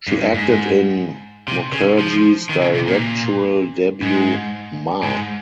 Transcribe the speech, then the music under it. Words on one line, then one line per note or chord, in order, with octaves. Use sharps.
She acted in Mukherjee’s directorial debut "Maa".
G2
G2
G#2
C3
C#3
F3
D#3
C#3
C3
A#2
G#2
G#2